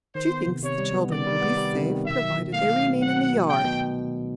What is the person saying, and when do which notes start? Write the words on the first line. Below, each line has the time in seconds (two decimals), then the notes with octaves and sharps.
She thinks the children will be safe, provided they remain in the yard.
0.15 D#3 C5
0.30 B3
0.46 C3
0.62 C3 C#5
0.78 G3
0.94 B3
1.09 D#3 D5
1.27 G3
1.42 B3
1.57 G3
1.73 C3
1.90 D#3
2.05 B2 E5
2.22 F#3
2.38 B2
2.53 A3 F5
2.69 B2
2.85 B2
3.01 F#3 F#5
3.16 B2
3.33 B2
3.48 B2 G5
3.65 B2